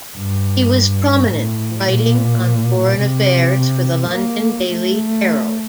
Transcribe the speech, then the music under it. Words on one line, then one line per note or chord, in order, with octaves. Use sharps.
He was prominent writing on foreign affairs for the London "Daily Herald".
G2
A2
A#2
C3
A#3
A3